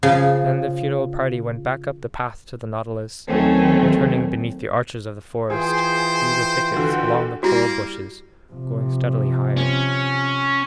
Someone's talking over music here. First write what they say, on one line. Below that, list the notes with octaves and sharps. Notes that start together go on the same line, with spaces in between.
Then the funeral party went back up the path to the Nautilus, returning beneath the arches of the forest, through the thickets, along the coral bushes, going steadily higher.
C#3 F3
D#2 D#3 F#3 A3 C4 C#4
E3 F4 G#4 C5 G5
D3 F#4
G3 A#3 E4 F#4
C3 F3
C#4